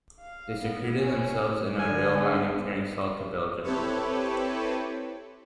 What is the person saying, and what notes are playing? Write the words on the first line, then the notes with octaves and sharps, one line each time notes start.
They secreted themselves in a rail wagon carrying salt to Belgium.
F5
B3
C#4
D3 G#5
B3
C4 E4 G4 A4 B4 C#5